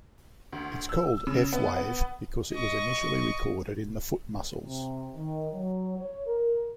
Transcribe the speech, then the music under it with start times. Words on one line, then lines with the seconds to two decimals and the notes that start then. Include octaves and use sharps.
It's called F wave because it was initially recorded in the foot muscles.
0.52 D2
0.89 E6
1.27 C#3
1.53 B3
1.76 B3
2.52 D#5 C#6
4.64 C3
5.15 D#3
5.52 F#3
5.97 C#5
6.27 A#4